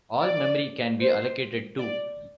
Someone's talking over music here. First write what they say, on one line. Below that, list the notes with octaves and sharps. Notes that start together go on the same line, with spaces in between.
All memory can be allocated too.
D5
C5
D5